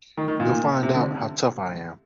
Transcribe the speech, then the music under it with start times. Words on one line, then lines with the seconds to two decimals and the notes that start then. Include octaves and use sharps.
You'll find out how tough I am.
0.17 D#3
0.28 D#3
0.40 A#2
0.83 C3
0.95 D3